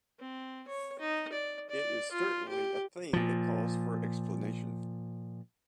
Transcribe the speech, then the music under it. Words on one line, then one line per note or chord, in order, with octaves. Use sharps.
It is certainly a thing that calls for explanation.
C4
C#5
D#4
D5
D5
F4
G4
A#2 F3